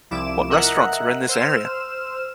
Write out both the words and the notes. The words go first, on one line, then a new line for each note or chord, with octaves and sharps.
What restaurants are in this area?
C2 F3 E4 D6 E7
A#4 D#5 E5 F#5 A#5 F#6
C5 E6 F6 E7